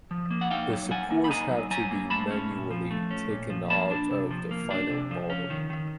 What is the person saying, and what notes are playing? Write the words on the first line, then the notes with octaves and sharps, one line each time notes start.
The supports have to be manually taken out of the final model.
F3
A#3
F#5
D#4 F5 G5
F#3
F#3 F#5 G#5
A#3
B5
D#4 G#5 A#5
F#3
F#3 G#5 A#5
A#3
A3 A5 B5
C#4
A#2
F3
A3
C#4
A#2
F3
A#3 A5 B5
D4
C3
F3
A#3
D4
C3
F3
C#4
D#3
D#3